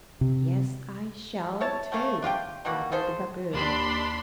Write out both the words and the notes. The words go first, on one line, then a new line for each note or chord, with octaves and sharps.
"Yes, I shall, too!" blabbered the babboon.
C3
E4 C#5 A5
G3 A3 A#3 C#4
D4 F4 G4 G5
B2 G3 A#3 F#4
F4 G#4 A4 C5
D#2 D4 B5 C6